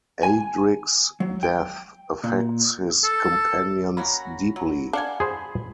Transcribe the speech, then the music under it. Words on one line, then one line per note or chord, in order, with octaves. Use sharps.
Adric's death affects his companions deeply.
G#5
F#3
G5
A#2
A4
A#3 C#4 F#4 A#5 B5
F#3
D4 F5 F#5 G#5
G#4 C5 B5